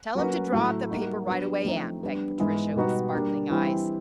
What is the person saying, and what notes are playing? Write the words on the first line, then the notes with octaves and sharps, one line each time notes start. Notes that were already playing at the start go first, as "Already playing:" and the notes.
"Tell him to draw up the paper right away, aunt!" begged Patricia, with sparkling eyes.
F#3 A#3 C#4 F#4 B4
A2 F#3 A3
G3 A#3 D#4 F#4
F#3 B3 D4
F3 A3 C4 D#4
G3 B3 D4
G#2 E3 G#3 B3 E4
B2 G3 B3 D#4 F#4
G3 A#3 D4
E3 G3 C4 E4